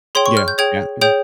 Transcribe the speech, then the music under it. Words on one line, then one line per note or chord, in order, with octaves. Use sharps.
Yeah, yeah, yeah.
G#4 C#5 G5 C6
C#6
F6
G6
G#4 C#5 G5 G#6
G#4 C#5 G5 G6